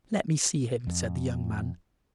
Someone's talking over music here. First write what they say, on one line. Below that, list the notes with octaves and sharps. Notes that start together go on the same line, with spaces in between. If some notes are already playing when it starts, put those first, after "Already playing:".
"Let me see him," said the young man.
F2